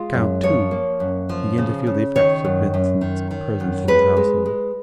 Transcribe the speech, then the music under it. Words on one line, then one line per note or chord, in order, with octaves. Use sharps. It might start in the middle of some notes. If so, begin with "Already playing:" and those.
The Count, too, began to feel the effects of Vincent's presence in his household.
Already playing: G#3 F4
F#2
F3 C#5
A#3
F#2
F3
C#3
C#3
D#3 C#5
F#2
F#2
D#3
D#3
F#2
G#3 B4
G#3
G#3